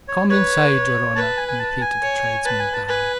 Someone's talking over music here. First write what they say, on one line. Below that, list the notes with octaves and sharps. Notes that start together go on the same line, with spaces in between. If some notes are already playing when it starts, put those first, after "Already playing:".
"Come inside, your honor!" repeated the tradesman, bowing.
C#5
B4 C#5
B4 A5
G#5
G#5
A5
G#5
C#5
B4 A5
G#5
A5
B4 G#5